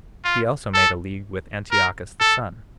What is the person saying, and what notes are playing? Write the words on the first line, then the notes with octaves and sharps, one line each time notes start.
He also made a league with Antiochus the son.
F4
A4
A#4
A4